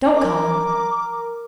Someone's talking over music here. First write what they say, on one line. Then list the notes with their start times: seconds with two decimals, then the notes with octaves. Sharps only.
Don't call him.
0.15 A#4 D6